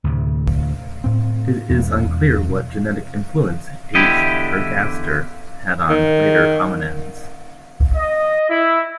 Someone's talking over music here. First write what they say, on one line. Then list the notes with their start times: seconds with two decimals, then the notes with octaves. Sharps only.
It is unclear what genetic influence "H. ergaster" had on later hominins.
0.04 D2 A2 C3
1.04 A2 C4
1.70 E2 B2
3.95 E2 D3 E4 G4 D#5
5.90 D#3
7.96 D#5
8.50 E4